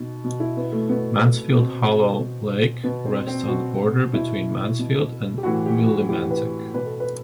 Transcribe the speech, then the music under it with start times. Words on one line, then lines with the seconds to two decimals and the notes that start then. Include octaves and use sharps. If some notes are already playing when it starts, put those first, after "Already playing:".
Mansfield Hollow Lake rests on the border between Mansfield and Willimantic.
Already playing: B2 D#4
0.25 B2
0.40 E4
0.57 B3
0.72 A3
0.89 B2 B3
1.53 B2 C4
2.19 B2
2.84 B2 B3
3.05 C4
3.27 C4
3.48 B2 F#4
4.13 B2 E4
4.79 B2
5.38 G4
5.43 A2 E3 F#4
5.66 G4
5.79 G4
5.86 F#4
6.09 A2 E3 G4
6.31 B4
6.74 B2 B4
6.86 A4
7.00 B4